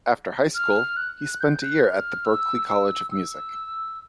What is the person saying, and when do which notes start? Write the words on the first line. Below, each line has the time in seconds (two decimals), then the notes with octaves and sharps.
After high school, he spent a year at the Berklee College of Music.
0.55 F6
0.97 F#6
1.29 F#6
1.41 G6
1.62 F#6
1.83 F6
2.25 E6
2.69 E6
3.11 E6